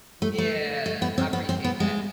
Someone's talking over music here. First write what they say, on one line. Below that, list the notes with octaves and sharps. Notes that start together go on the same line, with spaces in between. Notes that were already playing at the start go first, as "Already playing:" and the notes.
Yeah. I appreciate that.
A3
A3
A3
B3
C4
B3
C4
B3
G#3